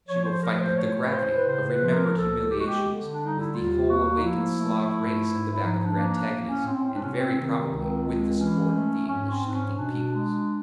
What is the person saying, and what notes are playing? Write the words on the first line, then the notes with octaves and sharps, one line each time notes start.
She will fight with the gravity of remembered humiliations, with the whole awakened Slav-race at the back of her antagonist, and very probably with the support of the English-speaking peoples.
F3 C#5
C5
A3 A#4
C5
A2 C#5
B4
A2 C5
B4
C#3 C5
B4
F3
A#4
C#2 A4
G#3 G4
F#4
G4
D3
D4
G3
D#4
E4
D#2 F4
A#3 F#4
D#4
F3 E4
A3
G#2
G#2
E4
F3 D#4
D4
A#3
D4
A2
C#4
A2 C4
C4
D4
C3 C#4
C#4
C4
D#3 C4
C4
C#2 C4
G#3
E3 C#4
A3
G#2 C#4
C4
G#2 D4
C#4
B2 D4
G#3